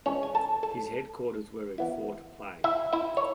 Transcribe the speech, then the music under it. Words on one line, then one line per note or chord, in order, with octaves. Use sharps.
His headquarters were at Fort Plain.
E3 G#3 C#4 D4 C#5
G#5
A4 A5
A4 A5
E3 B3 E4
E4 E5
E4 E5
C#5